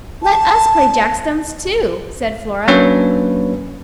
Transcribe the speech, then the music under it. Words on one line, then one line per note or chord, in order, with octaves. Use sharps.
"Let us play jack-stones, too," said Flora.
A5
F#3 A#3 C#4 D4 B4 C#5